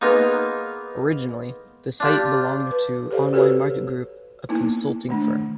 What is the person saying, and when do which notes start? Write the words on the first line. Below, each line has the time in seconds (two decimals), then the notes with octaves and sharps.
Originally, the site belonged to Online Market Group, a consulting firm.
0.01 A#3 B3 D#4 F4 G#4 A#4
2.00 D4 F4 G4
2.71 B4
3.11 G4 A4 C5 D5 F5
3.33 F#4 G4 A4 B4 C#5
4.49 A#3 B3 D#4 E4
5.09 D#3 A3 D4